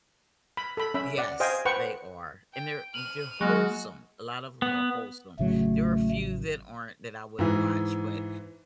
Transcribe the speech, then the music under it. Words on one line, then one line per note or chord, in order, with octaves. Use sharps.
Yes, they are. And they're they're wholesome, a lot of 'em are wholesome, there are a few that aren't that I wouldn't watch, but
B5
A4 B5
C#4 E5 B5
D5 F#5
C5 D#5 F5 G5 G#5
B4 C5 F#5 G5 C#6
G5
F6 D#7 F#7
F#3 G#3 A#3 F#4
B3
A1 C#3 F#3 A3
G#2 E3